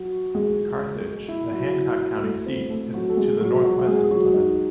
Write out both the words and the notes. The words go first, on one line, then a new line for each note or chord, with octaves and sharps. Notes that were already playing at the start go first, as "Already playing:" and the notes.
Carthage, the Hancock County seat, is to the northwest of Plymouth.
Already playing: F#3 F#4
G#3 G#4
E4
F#3 F#4
E4
A3 A4
C4 C5
A3 A4
F#3 F#4
A4
G#3 G#4
F#3 F#4
F#3 F#4
G#3 G#4
G#4
F#3 F#4
D#4